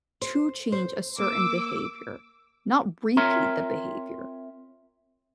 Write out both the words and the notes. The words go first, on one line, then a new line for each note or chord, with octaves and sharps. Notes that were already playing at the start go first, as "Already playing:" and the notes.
to change a certain behavior, not repeat the behavior.
C5
C5
A#3 D6 E6
C4 F4 A#4 C#5 E5 A#5